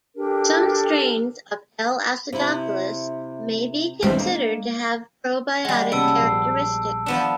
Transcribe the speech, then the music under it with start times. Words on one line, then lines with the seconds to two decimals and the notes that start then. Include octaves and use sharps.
Some strains of "L. acidophilus" may be considered to have probiotic characteristics.
0.16 D4 G4 A4 A#4
2.32 C3 E4
4.03 B2 E3 G#3 C4 D4
4.19 A#3
5.65 G3 G#3 F#5
5.92 C3 A#3 B3 C#4 A5 E6 D7
6.19 A#1 A#2 C7
7.06 F3 B3 D4